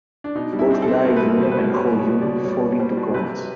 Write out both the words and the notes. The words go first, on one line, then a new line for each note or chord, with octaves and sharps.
Both Dae-jun and Ho-jun fall into comas.
D4
B2 D#4
G3
E4
C4
A4
C4
B2 A#4
B4
G3
A#4
B2 C5
B4
B2
G3 C#5
B2
C#5
B2
D5
B2
G3 C#5
D5
B2 C#5
G3 C5
B2
C3 B4